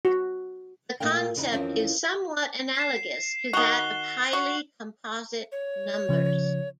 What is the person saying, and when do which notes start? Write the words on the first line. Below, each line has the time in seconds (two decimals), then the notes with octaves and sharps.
The concept is somewhat analogous to that of highly composite numbers.
0.05 F#4
1.00 A#2 A3 A#3 F5 G5
1.36 E2 C#3 D#4 B4
1.52 F2 D#3 E3 C4 C#4 F4
2.75 C7 E7
3.53 D#3 F#4 F#6 F7 G7
4.33 F#4
5.52 C#5
6.09 C#3 F3